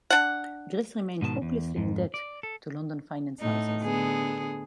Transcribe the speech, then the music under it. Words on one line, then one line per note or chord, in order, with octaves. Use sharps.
Greece remained hopelessly in debt to London finance houses.
D4 F#5
G#2 B2 D#3 A5
E2
F2 G#2
D5
A4
A2 D#4
D3 B3 G#4